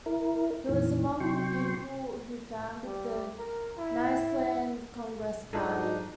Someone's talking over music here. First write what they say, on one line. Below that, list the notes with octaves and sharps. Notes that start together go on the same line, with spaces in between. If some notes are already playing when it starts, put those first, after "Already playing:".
He was among the people who founded the Nyasaland Congress Party.
E4 A#4
F2 A#2 D#3 E3
C3 F#3 G5 C6 C#6
G3
A#4
E4
G#2 D4 D#4 F4 A4